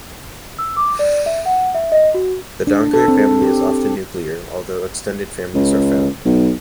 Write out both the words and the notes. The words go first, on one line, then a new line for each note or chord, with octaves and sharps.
The Dongria family is often nuclear, although extended families are found.
E6
D6
D5
E5
F#5
E5
D#5
F#4
D4
A4
C4
G4
C#2
B1